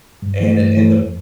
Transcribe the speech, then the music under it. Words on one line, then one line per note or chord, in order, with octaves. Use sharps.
and it and the
G2
E3 A3
G2
E3 A3
F2